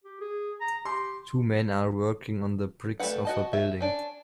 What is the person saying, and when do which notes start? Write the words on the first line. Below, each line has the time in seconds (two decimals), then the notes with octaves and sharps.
Two men are working on the bricks of a building.
0.04 G4
0.21 G#4
0.61 A#5
0.85 G4 C6
3.00 G3 A3 C#4 B4 F#5
3.25 F#4 D#5 A5
3.53 E5
3.81 C#4 D4